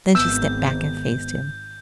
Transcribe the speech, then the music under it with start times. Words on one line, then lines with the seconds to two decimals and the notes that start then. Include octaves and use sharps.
Then she stepped back and faced him.
0.15 G#1 B3 E6 G6